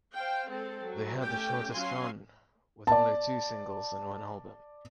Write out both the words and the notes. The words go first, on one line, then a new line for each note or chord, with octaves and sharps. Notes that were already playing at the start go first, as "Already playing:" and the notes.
They had the shortest run with only two singles and one album.
C5 F5 G5
G#3 C4 A4
F#3
A3 C#4 G4 G5
F#3 C#4 F#4 F5 G#5 C6
D5 A5